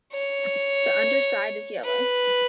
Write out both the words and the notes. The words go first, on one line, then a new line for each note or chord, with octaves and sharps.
The underside is yellow.
C#5
B4